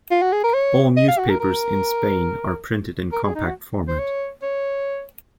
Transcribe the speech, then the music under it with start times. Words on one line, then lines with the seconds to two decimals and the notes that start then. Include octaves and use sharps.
All newspapers in Spain are printed in compact format.
0.11 F4
0.22 F#4
0.32 G#4
0.44 A#4
0.54 C#5
0.97 D#5
1.08 F5
1.18 F#4
1.29 A#4
1.40 A#4
3.12 A#4
3.24 G#4
3.35 D#4
3.46 F#4
3.88 C5
3.99 C#5
4.43 C#5